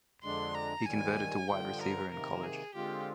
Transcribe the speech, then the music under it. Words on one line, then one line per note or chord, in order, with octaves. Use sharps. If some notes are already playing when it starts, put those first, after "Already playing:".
He converted to wide receiver in college.
F2 D3 G#3 D4 C6
A#5
D#2 D#3 G3 G#5
G2 D3 F3 G5
A#4
C3 D#3 A#3 A#4
G#4
D3 G#3 C4 F4 G4